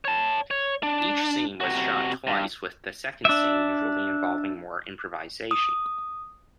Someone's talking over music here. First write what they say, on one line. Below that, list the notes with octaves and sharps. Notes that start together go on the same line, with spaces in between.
Each scene was shot twice with the second scene usually involving more improvisation.
C#5 A5
C#5
D4
C3 F#4
G2
D4 E5
D#6